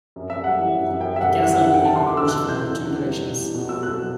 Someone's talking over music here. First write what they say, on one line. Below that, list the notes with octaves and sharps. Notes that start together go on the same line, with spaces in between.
The castle may be approached from two directions.
F#2
F#2 E5
G3 F#5
E3
F#2
F#2
F#2 G5
F#2 E5
F#5
G3
E3 E5
F#5
F#2
F#5
F#2 G5
E2 A5
C6
E2
D6
F#3 E6
B2 F#6
E2
G6
E2
E2
E2
G3
B2
E2
E2
B2
F#3 E6
B2 F#6
F#3